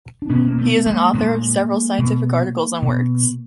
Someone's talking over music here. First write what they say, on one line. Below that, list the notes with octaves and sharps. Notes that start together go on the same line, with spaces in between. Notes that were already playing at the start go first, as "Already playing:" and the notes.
He is an author of several scientific articles and works.
D4
B2 B3 C#4
A#3
A3 B3
G#3 A#3
A#2 G#3 A#3
B2
B2